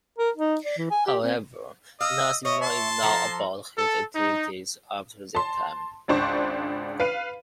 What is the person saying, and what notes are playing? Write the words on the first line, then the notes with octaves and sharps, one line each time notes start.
However, nothing more is known about his activities after this time.
A#4
D#4
D5
E3
G#5
G4
C4
D#5 F5 E6
C#5 D#5 E5
A5 C6
F3 A4 A#5
A4
D#4
A5 C6
G#1 C#2 D4 C5 C#6
B4 F5 D#7